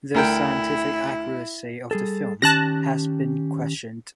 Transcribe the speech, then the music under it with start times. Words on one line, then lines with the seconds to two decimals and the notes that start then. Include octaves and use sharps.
The scientific accuracy of the film has been questioned.
0.14 D2 E4 A#4 G5
1.91 G3 G#4 A4
2.42 D#3 C#4 G4 A5 F#6 A#6